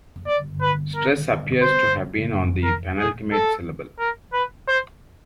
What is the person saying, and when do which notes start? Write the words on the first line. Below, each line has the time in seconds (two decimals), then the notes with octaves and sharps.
Stress appears to have been on the penultimate syllable.
0.27 D5
0.61 B4
0.95 A#4
1.62 C5
2.64 A#4
2.98 G#4
3.32 A4
3.99 A#4
4.33 B4
4.67 C5